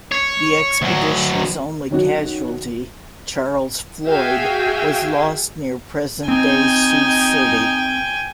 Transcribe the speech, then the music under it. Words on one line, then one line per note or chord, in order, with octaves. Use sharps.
The expedition's only casualty, Charles Floyd, was lost near present-day Sioux City.
C#5
D2 F#3
D#3 F#3 C#4 D#4 F#4
F#4 G#4 E5 F5 G5 G#5
C4 D#4 G5 G#5